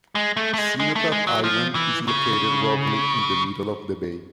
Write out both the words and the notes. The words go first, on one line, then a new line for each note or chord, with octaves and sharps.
Cenotaph Island is located roughly in the middle of the bay.
G#3
A3
A3
G#3
G#3
A3
G#3
F#3
F3
E3
C#3